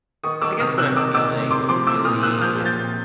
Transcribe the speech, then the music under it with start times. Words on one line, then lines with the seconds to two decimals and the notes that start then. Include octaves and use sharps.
I guess when I'm feeling really
0.23 D#3 C#6 D#6
0.42 D#3 D6 E6
0.60 C3 D#6 F6
0.78 C3 E6 F#6
0.96 D#3 D6 E6
1.14 D#3 D6 E6
1.32 C3
1.50 C3 C6 D6
1.69 F3 C6 D6
1.87 F3 D6 E6
2.05 A#2 D#6 F6
2.23 A#2 E6 F#6
2.41 F3 F6 G6
2.60 F3
2.65 G6 A6
2.78 A#2